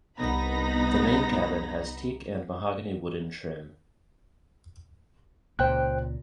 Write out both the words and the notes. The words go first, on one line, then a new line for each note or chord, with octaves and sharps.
The main cabin has teak and mahogany wooden trim.
C2 B3 D#4 A#5 B5 A#6
C#2 A#2 C5 G5 F#6